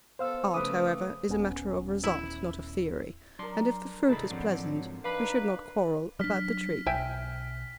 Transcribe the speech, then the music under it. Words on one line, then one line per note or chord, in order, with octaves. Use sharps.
Art, however, is a matter of result, not of theory, and if the fruit is pleasant, we should not quarrel about the tree.
B3 A4 C5 F5 E6
C#3 F3 A3 B4 D6 D#6
D#1 B3 C#4
E4
F#3 D4 A#4 C6
B1 D3 G#3 E4 A4 B5
G#2 D3 F3 F#3 C4
D4 D#4 B4 F5
F#3 D4 F6 B6
B1 E5 G5 G#5